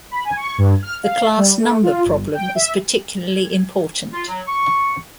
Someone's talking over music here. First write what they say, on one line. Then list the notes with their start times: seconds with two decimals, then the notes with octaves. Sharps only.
The class number problem is particularly important.
0.11 B5
0.25 G#5
0.37 C#6
0.58 G2
0.83 F6
1.03 F5
1.37 G3
1.60 A3
1.83 F4
2.05 G1
2.34 G5
2.55 E5
4.13 F4
4.28 F#3
4.47 C#6